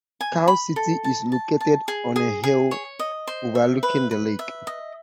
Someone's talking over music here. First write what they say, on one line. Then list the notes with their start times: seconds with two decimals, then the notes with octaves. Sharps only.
Kaw City is located on a hill overlooking the lake.
0.21 G#5
0.48 B5
0.76 A4
1.04 A5
1.32 A5
1.60 A5
1.88 G#4
2.16 G#4
2.44 G#4
2.71 C#5
2.99 D#5
3.27 C5
3.55 E5
3.83 B4
4.11 B4
4.39 E5
4.67 D#5